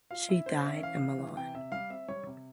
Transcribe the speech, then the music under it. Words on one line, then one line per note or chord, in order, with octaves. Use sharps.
She died in Milan.
F4 F5
E4 E5
C#4 C5
C#4 E5
E3 F5
E4
E3
C3 G5
C3 E5
G3 F5
C4 E5
G3 C#5
C3